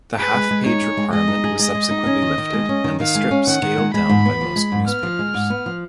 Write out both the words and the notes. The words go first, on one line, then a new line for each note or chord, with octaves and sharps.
The half-page requirement was subsequently lifted, and the strip scaled down by most newspapers.
G#4 B4
G#3
G#3
D#4 C#5
G#4
G#3
G#3 D#5
D#4
G#4
G#3 D#5
G#3
D#4
C#4
D#3
D#3
G#3
C#4
D#3
D#3 F5
G#3
C#4
D#3 F#5
D#3
G#3
G#3 B5
G#2
B3
F3
G#3
G#2
B3 F6
F3
G#3
G#2
B3
F3